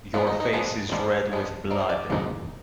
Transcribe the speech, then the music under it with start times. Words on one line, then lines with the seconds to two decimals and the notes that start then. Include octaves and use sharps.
Your face is red with blood.
0.14 F3 G#3 B3 D4 F4
0.27 D#4
0.40 D#4
0.53 F3 G#3 B3 D4 G#4
0.92 F3 G#3 B3 D4 C5
1.31 F3 G#3 B3 D4
1.70 F3 C4 D#4 D5
1.80 C5
1.90 D5
2.10 F3 C4 D#4